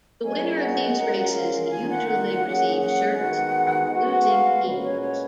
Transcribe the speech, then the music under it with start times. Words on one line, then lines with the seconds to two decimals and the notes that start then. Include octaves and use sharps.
The winner of these races usually receive shirts from the losing teams.
0.24 F#3 A#3 C#4 G#4 D#5 G#5
0.61 F#5
0.97 G#3 C#4 F4 A#4
1.35 F5
1.70 D#3 A#3 F4 G#5
1.90 F#5
2.44 F#3 A#3 C#4 G#4
2.81 F#5
3.17 D#3 G#3 B3 F#4
3.91 G#3 B3 F#4
4.27 F5
4.65 A#2 G#3 C#4 F#4 B4
4.82 C#5
5.01 C#5